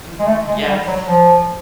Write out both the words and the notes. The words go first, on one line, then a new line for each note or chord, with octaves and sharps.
Mhm. Yes.
G#3
A3
G#3
G3
F#3
F3